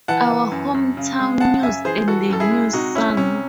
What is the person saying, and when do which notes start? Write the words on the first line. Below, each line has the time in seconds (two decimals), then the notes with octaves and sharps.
Our Hometown News and the News-Sun.
0.08 E3 F#5 A5
0.30 E3
0.52 F#2
0.74 F#2
0.97 C#3
1.19 G#3
1.40 C#3 F#5 A5
1.62 F#2 E5 G#5
1.85 E3 G#4 C5
2.07 E3 F#4 A4
2.29 F#2 A4
2.40 E4 G#4
2.51 G#3
2.73 C3 D#4 F#4
2.95 C2 C#4 E4
3.17 C3 C#4